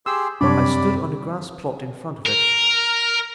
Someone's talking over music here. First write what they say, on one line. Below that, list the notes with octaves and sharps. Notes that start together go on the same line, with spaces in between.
I stood on the grass-plot in front of it.
G4 G#4 C6 E6
F#2 C3 G3 D4 C#5 D5 B5 D6
A#4